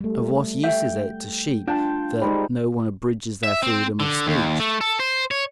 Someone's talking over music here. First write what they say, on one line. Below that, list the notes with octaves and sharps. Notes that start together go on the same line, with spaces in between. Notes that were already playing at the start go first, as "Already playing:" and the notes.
Of what use is it to sheep that no one abridges their freedom of speech?
G3 A3
E5 G5
D4 F4 G5 A5
G3 G#3 D#4 C5
E5
C4
D3
D#2
A3
A4
C5
C#5